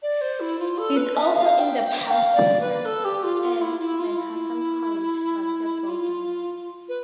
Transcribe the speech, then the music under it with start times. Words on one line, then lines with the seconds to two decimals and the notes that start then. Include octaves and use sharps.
It also in the past has aired Manhattan College basketball games.
0.02 D5
0.21 C5
0.40 E4
0.59 F4
0.78 A4
0.96 B4
1.15 E5
1.34 F5
1.59 G5
1.85 G5
2.10 F5
2.35 D5
2.60 B4
2.85 A4
3.04 G4
3.23 F4
3.42 F4
3.61 E4
3.80 E4
3.99 F4
4.17 E4
5.88 F4
6.88 B4